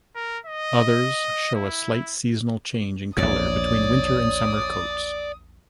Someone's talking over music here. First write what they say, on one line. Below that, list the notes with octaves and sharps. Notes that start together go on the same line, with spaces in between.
Others show a slight seasonal change in colour between winter and summer coats.
A#4
D#5
E4
A#1 E2 C#5 D5 D#6